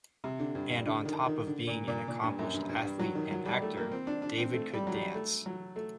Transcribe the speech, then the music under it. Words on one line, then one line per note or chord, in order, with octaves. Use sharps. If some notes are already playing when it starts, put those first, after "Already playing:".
And on top of being an accomplished athlete and actor, David could dance.
C3
D3
G2
G2
D3
D#3
D#3
D3
A#2
A#2
A#2
G2
F#2
G2
G2
G2
F#3
D#3
F#3
G3
A3
A#3
C4
D4
D4
C4
A3
G3
F#3
G3
A3
F#3
A3